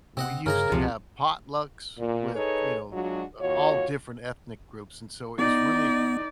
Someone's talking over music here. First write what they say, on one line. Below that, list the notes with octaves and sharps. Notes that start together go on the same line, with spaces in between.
we used to have potlucks with, you know, a all different ethnic groups, and so, it was really
C3 C4 D#5 F#5
G2 C#3 A#4 D#5 A#5
C#2 C3 F3
A#2
D#4 G#4 A4 B4 C#5
F#3 G#3 D4 F4 F#4
D#2 F4 F#4 C#5
B3 D#4 D5